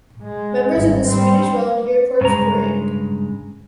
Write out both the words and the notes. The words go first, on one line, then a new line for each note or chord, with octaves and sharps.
Members of the Swedish Volunteer Corps parade.
G#3
G#1 G2
G3 C4
G2 C#3 G#3 A#5